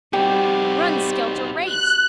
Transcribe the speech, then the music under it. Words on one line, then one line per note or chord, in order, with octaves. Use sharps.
Run, skelter, race.
G3 C4 D#4 F#4 G4
F#6